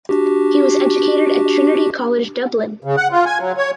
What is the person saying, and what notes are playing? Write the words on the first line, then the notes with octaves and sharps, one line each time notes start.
He was educated at Trinity College Dublin.
D4 F#4 G4
C#3
F#5
F4
G#5
F#3
C#5